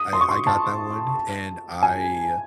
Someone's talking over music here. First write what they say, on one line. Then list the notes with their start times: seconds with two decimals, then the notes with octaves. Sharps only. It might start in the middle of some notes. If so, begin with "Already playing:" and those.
I I got that one and I
Already playing: D#6
0.13 C6
0.21 C#6
0.29 C6
0.47 A5
1.83 G#5